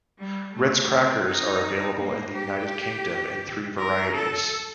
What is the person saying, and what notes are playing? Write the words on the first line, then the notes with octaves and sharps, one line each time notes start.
Ritz Crackers are available in the United Kingdom in three varieties.
G3
A3
C4
D#4
A#3
G4
A#4
A4